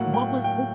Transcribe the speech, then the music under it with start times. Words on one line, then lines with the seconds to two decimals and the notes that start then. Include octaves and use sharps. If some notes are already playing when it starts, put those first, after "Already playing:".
what was the
Already playing: A2 F#3 A#3 F#5
0.14 G5
0.44 G5